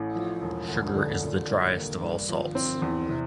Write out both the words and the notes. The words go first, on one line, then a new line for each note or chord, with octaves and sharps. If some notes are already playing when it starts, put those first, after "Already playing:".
Sugar is the driest of all salts.
Already playing: A1 A2
F3
E1
D2
D3
A#2
G3
A#3
G2
F3
C4
E2
C3